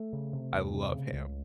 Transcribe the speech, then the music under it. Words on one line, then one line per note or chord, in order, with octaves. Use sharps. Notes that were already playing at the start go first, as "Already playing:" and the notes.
I love ham,
Already playing: A3
C#3
C3
E2
C3
C#3
C#2